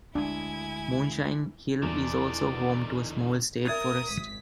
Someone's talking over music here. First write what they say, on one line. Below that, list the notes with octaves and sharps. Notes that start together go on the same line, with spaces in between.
Moonshine Hill is also home to a small state forest.
D2 G#3 D4 E4 G#5
E2 D3 D#3 D5
A#4 E5 D#6 G#6 A6
G#1 B6